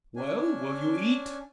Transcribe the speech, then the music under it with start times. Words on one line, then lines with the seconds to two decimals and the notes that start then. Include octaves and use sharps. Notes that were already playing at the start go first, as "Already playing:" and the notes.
"Well, will you eat?"
0.16 C#4 D4 G#5